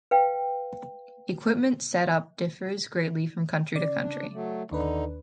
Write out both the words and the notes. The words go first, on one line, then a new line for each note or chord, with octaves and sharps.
Equipment set up differs greatly from country to country.
B4 F5 G5
C#3 D5
D4
F#3 A3
D#2 D3 D4 D#4 B4